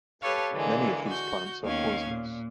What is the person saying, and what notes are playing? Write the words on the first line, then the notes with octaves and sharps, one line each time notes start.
Many of these plants are poisonous.
G4 A4 B4 C#5 F5 A5
D3 E3 G#3 A#3
F#4 G6
D#2 D#3 B3 C#4 F5 G#6
A#2